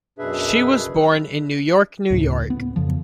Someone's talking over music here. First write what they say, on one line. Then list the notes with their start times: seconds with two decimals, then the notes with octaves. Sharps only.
She was born in New York, New York.
0.19 F#2 B2 D4 G#4 B4 E5
2.10 D2 A2 C#3
2.50 B3
2.76 F2 C#3 F3